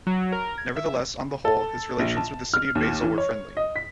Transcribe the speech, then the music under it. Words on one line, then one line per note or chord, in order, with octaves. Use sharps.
Nevertheless, on the whole, his relations with the city of Basel were friendly.
F#3
A#4
G#6
E5
A4
A#1
A5
F6
D#2
E3
C#5
D#5
B6